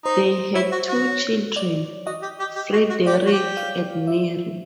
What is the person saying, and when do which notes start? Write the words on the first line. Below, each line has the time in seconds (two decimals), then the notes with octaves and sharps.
They had two children, Frederick and Mary.
0.05 D#4 C5
0.55 E4 C#5
0.72 F#4
0.89 F#4
1.56 D5
2.06 F#4 D#5
2.22 G4
2.40 G4
2.56 G4
2.73 F#4
2.90 F#4
3.06 G4 D5
3.13 C#5
3.21 D5
3.27 F#4
3.32 G4
3.57 F5
4.07 E5